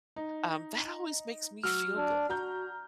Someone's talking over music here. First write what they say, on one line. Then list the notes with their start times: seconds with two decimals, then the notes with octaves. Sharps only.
Um, that always makes me feel good.
0.16 D#4
1.64 F#3 F#4 E6 F6
1.97 D4
2.30 F#4 A#5 G6